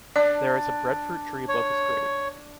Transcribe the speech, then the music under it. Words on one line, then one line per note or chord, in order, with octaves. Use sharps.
There is a breadfruit tree above his grave.
D4 D5
C#5